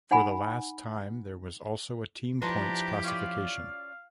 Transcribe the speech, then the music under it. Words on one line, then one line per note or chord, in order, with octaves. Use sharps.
For the last time, there was also a team points classification.
D#4 F#5 G#5 B5
F3 D4 E4 G4 B4 C5 A5 A#5
C#4 F4 D5 F5